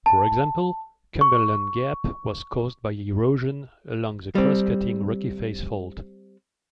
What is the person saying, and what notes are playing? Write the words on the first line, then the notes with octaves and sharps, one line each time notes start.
For example, Cumberland Gap was caused by erosion along the cross-cutting Rocky Face Fault.
A5
C#6
G3 C4